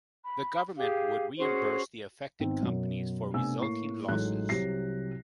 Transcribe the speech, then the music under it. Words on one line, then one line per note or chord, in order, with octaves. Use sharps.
The government would reimburse the affected companies for resulting losses.
B5
G4 G#4 F5
C#4 F#4 G#4 C5
G#1 B3 C4 D#4
F#2 B2
C3 A3 B3 D4 G#5 E6
A2 A#3 C#6 C7
A1 F#3 G#3 D#4 A4 F#6
C2 C3 F#3 G4 A#6 C7